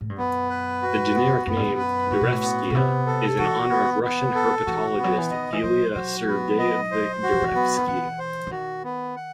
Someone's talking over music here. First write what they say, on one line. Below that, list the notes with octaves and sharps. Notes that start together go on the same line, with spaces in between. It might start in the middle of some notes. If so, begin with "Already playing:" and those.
The generic name, "Darevskia", is in honor of Russian herpetologist Ilya Sergeyevich Darevsky.
A2
G2
F#2 B3
B4
F#4
B3
F#2 B3
G2
F#2
B4
A2 F#4
B2
A2
B3
B2
C3 B3
A4
E3 F#4
B3
B3
A4
E3 F#4
B3
F#3
E3
D#3 D#5
E3
F#3 C5
F#3 F#4
B3
D#5
C5
F#4
F#3
E3
F#3 B3
D#3
E3 F#5
C5
E3
D#3 F#4
B3
F#5